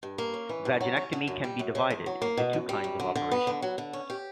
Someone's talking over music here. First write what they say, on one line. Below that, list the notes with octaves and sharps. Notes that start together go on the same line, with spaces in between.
Vaginectomy can be divided into two kinds of operations.
G2
A#3
C#4
E3
G2
F#3
C#4
D3
F#2
G3
F#2
C#3
E2
F#3
A#3
B2
F#2
G3
F#2
D3
D3
B3
D3
F#3
D3
C#4
G4